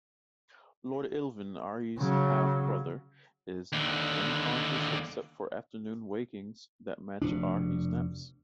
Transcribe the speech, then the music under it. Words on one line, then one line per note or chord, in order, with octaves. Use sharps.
Lord Illvin, Arhys's half-brother, is unconscious except for afternoon wakings that match Arhys' naps.
C#3 F#3
D#2 D3
F1 B2 D4